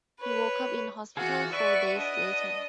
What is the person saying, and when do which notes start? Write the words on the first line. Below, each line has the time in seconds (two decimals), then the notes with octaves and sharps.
He woke up in hospital four days later.
0.20 B4 C#5
1.17 E3 F4 F#4 G#4 F#5
1.52 F#4 B4 D5 E5 C#6
1.97 D4 D#5